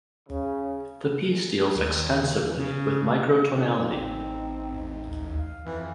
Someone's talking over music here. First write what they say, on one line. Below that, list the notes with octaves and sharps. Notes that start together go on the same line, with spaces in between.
The piece deals extensively with microtonality.
C#3
D#2
C#3
D#4
A1 C4
F5
F2 E3